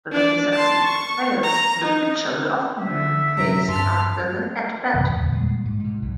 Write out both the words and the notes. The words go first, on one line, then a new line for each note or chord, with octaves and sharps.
Whether he succeeds or fails, the pitcher will often be replaced after the at-bat.
D4 D5
A5 C6
C#6
A#5
D#4
D3 E5
F#2 C3 F#3 A#5
G2 A5 C6 F6
F#2 C3 E3
E2 A#2 D3
A#2 G3 G#3
G#2
G#2 B2
B1